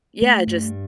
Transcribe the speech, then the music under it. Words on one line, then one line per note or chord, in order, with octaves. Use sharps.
yeah, just
A3
G2